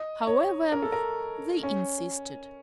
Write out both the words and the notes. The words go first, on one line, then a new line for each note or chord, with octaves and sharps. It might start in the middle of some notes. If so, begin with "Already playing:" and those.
However, they insisted.
Already playing: D#5
C#5
A#4
A4
A#4
C#4